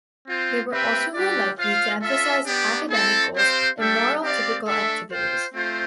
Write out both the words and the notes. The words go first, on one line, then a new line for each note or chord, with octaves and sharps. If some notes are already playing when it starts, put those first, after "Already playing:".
They were also more likely to emphasize academic goals and moral typical activities.
C4 F4 C5
C4 G4 B4 E5 G5
G3 D4 G4 B4 D5
F4 C5 F5
F4 A4 E5
B3 D4 G4 D5 G5
C4 E4 A4
C4 G4 C5 F5
G3 D4 A4 E5 G5
C4 G4 D5 F5
A3 D4 A4 E5
F4 C5 G5
A3 C4 F4 C5